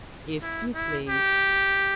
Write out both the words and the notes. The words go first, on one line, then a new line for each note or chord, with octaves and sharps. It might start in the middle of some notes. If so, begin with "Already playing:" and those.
"If you please."
E4
E4
G4